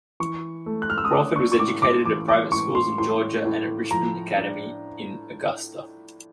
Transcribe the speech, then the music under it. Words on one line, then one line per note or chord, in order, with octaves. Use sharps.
Crawford was educated at private schools in Georgia and at Richmond Academy in Augusta.
E3 C#6
A3
F#6
F6
E6
D#6
D4 D6
C#6
C#6
A2 D6
D6
E3 D6
D6
A2 C#6
C6
A2 C6
A2
F3 A#5
D4